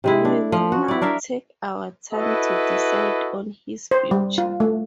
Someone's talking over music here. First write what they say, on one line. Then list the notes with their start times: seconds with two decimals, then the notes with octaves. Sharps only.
We will now take our time to decide on his future.
0.04 C3 G#3 E4
0.25 D4
0.52 F3
0.72 F#4
0.88 E4 D5
1.01 D4 A#4 E5 F5
2.13 E4 F#4 A4 B4 D#5
3.91 C5
4.11 G3
4.38 F4
4.60 A3